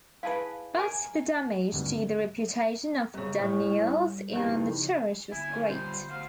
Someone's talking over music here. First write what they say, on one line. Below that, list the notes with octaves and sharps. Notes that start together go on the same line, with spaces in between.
But the damage to the reputation of Danneels and the Church was great.
E4 G#4 B4 F5 A5
A#4 G#5
G#1 D2 G2
F#2 C#3 G3
A2 C#4
E2 G2
C#3 F3 D#4
G1 E4 G#5
A3 A#3 C#4
G3 F4 C5
F#4 C5 F5